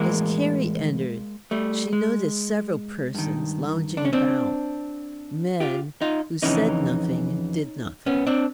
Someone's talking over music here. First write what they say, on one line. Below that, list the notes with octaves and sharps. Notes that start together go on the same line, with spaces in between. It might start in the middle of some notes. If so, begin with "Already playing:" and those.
As Carrie entered she noticed several persons lounging about--men, who said nothing and did nothing.
Already playing: A2 E3 G#3 A#3
G3 A3
G#3
G2 D#3
D4
C#4
C4 D4
F4 G4
D#4 F4
F2 C#3 E3 C#4 D#4
B3 C#4
C4 D4